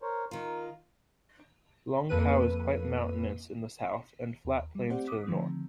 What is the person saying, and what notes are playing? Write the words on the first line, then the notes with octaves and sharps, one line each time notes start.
Longkou is quite mountainous in the south and flat plains to the north.
A#4 C5 C#5
D#3 F4 A#4
F2 A#3 A4 B4 D#7
D#2
G3
A3 C4 G4 C5 D5 F#5
D6 D#6 F#6 B6
D3 D#3 F3 A3 C4